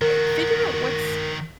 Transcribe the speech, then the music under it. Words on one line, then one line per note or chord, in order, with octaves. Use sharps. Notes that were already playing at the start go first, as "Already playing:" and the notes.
what figure out what's
D#3 F#4 A#4